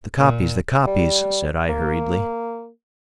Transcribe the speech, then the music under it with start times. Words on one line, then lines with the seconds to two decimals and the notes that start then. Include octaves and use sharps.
"The copies, the copies," said I hurriedly.
0.18 A#2
0.87 G3
1.69 A#3